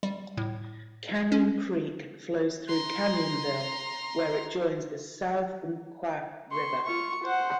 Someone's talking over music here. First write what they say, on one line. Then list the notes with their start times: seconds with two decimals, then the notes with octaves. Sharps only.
Canyon Creek flows through Canyonville, where it joins the South Umpqua River.
0.03 G3
0.37 A2
1.32 C#4
2.69 A#5 C6
6.52 C6 C#6
6.85 F4 C#6
7.23 C5 F#5